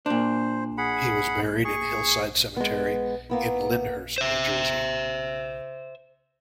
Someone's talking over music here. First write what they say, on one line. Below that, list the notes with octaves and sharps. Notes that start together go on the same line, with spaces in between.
He was buried in Hillside Cemetery in Lyndhurst, New Jersey.
A#2 D4 C5
G#4 F#5 B5
G#4 C#6
G#3 B3
A#3 B3 E4
C5 E5